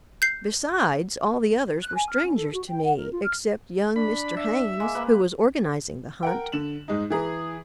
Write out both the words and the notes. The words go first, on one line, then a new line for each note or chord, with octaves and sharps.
Besides, all the others were strangers to me except young Mr. Haynes, who was organizing the hunt.
G6 C7
F#6
G#5
F6
C#4
A4
F#4
G5
F#5
A#4
F4
F6
D4 B5
E5
G#3 A#3
A#3 B4
A#4 F#5 G5
D3 E7 F#7
G#2 G#3 D#4
E3 G#4 A#5